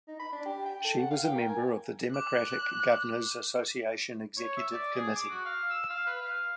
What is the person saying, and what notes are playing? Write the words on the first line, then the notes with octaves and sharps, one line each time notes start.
She was a member of the Democratic Governors Association Executive Committee.
D#4
B5
D4
G4
G5
A4
F#5
F5
G5
A#4
G#5
D6 F#6
C#5
E5
D5
G#4
D6
F#4
F5
E6
F5
B4
F5